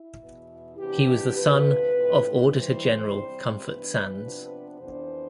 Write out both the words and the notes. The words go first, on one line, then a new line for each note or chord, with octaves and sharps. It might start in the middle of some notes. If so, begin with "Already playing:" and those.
He was the son of Auditor-General Comfort Sands.
Already playing: E4
E2 B2 B3
C3 E3 B3 D4 G4
D2 C3 F3 B4
A2 F3 C4
G2 E3 G3 C5
C3 G3 C4
G2 E3 B3 D4 B4
C3 F3 B3 D4
F2 E3 B3 D4 C5